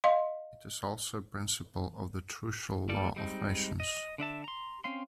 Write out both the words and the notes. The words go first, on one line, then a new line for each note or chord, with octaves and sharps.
It is also a principle of the trucial law of nations.
D#5 F5 C6
G3 A#3 A4 D5
G3 G#3 C4 D#4
D#5
D3 D4 E5 A5
A#5 C6
C4 C#4 F5 C6